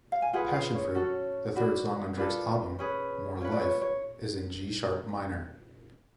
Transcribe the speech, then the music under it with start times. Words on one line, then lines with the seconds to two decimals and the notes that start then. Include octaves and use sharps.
"Passionfruit", the third song on Drake's album "More Life", is in G-sharp minor.
0.12 F5
0.22 G#5
0.33 F4 G#4 B4 F#5
0.49 F#5
0.54 F5
0.75 C#5
0.95 C#4 F#4 A4
1.56 D4 F#4 B4
2.17 D4 F4 A4 B4
2.79 C#4 G#4 B4
3.40 F4 B4 C#5
3.52 D5
3.61 C#5
3.82 C#5